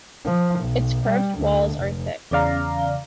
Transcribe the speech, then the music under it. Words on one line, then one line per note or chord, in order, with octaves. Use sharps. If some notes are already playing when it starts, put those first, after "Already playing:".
Its curved walls are thick.
F3
B1
G3
D2
F1
E2 C#3 D5 F5 A#5